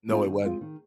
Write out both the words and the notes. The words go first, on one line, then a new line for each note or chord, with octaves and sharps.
No, it wasn't.
G#3 C4 F4
D#3
G#3 C4 F4
D#3